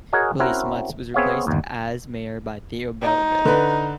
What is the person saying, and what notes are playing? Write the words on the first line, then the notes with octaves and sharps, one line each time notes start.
Willie Smuts was replaced as Mayor by Theo Beyleveldt.
F#4 G#4 A#4 C#5 D#5 G#5
C4 C#4 E4 F#4 A#4
B3 C4 G#4 C#5 E5 F5
G1 D#2
D#4
D3 B4